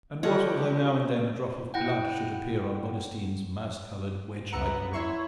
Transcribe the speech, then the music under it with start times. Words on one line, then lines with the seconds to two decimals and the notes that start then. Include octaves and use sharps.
And what although now and then a drop of blood should appear on Modestine's mouse-coloured wedge-like rump?
0.23 G#3 D4 F4 G4 A4 C#5 D#5 F#5
1.74 E4 F#5 G5
4.52 C#2 G2 B3 F#5 A#5 E6 C#7 D7
4.93 E4 C#5 E5 C6 C#6